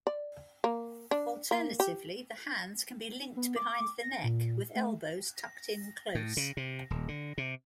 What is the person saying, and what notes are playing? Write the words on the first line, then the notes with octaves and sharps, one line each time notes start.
Alternatively, the hands can be linked behind the neck with elbows tucked in close.
D5
A#3
D4
A#3
G4
B3
D6
A#6
A#2
A3
A2
C#3
C3
D#1
D3
C3